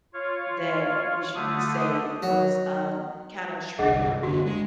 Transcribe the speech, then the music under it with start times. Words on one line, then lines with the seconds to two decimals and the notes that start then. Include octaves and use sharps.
that which you would say was, um, kinda triggering me.
0.14 F4 C#5 F5
1.35 D3 A3 D#6
2.22 F#3
3.79 G1 C2 G#4 D#5 F#5
4.23 F#1 D3 F#4
4.46 G#3